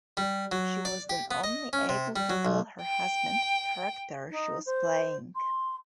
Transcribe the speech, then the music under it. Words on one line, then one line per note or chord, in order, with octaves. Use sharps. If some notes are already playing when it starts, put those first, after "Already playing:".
She was then only able to tell her husband the character she was playing.
G3
F#3
D5
G4
B3
D#5
C#4
C3
G3
F#3
B1
G5
D#4
C5
C6